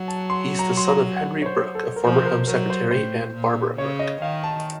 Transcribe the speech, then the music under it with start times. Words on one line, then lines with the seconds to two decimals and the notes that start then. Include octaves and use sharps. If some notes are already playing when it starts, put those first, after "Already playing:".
He is the son of Henry Brooke, a former Home Secretary, and Barbara Brooke.
Already playing: F#3 F#5
0.08 A5
0.30 C6
0.59 A#5
0.77 C6
0.88 A#5
1.17 F#5
1.42 C#5
1.46 C5
1.75 A4
1.96 A#4
2.04 F3 C5
2.18 C5
2.25 A#4
2.48 F#3 A#4
2.70 C5
2.91 A2 C5
3.34 A#2
3.78 C#3 C#5
3.99 D#5
4.22 D#3 F5
4.44 A5